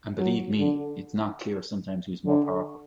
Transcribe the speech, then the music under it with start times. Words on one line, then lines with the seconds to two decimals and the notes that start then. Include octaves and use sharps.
And believe me, it's not clear sometimes who's more powerful.
0.17 F#3
0.59 D3
2.27 D3